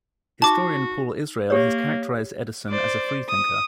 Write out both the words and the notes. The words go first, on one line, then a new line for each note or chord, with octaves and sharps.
Historian Paul Israel has characterized Edison as a "freethinker".
D#4 F#4 A5 D6
A#3 G4 C#5
C5 D5
D#6